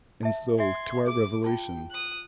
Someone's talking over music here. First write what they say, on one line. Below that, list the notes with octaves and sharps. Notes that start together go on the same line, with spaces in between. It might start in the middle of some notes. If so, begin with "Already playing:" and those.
And so to our revelation.
E5 A5
E5 G#5 C6 G#6
G#4 D6
F4 G5 A5
D#6 F#6